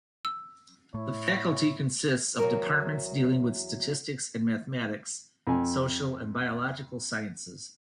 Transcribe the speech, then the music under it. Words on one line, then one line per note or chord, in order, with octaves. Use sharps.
The faculty consists of departments dealing with Statistics and Mathematics, Social and Biological Sciences.
E6
A2 A3 E4 C#5
E2 F#3 A#4
F2 G#5